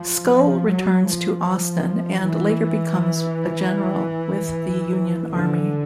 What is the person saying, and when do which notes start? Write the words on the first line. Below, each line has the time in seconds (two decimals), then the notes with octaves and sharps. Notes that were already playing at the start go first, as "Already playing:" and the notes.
Scull returns to Austin and later becomes a general with the Union army.
Already playing: F3
0.31 F3
0.70 F#3
1.08 F3
1.47 F3
2.24 E3
5.33 D3